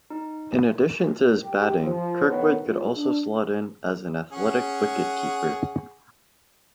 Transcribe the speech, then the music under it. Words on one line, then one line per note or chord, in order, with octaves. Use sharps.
In addition to his batting, Kirkwood could also slot in as an athletic wicket-keeper.
D#4
G4
F3
A2 D#3 B3 C#5
F#2 G#3 F4
D4
C#4 G#4 F#5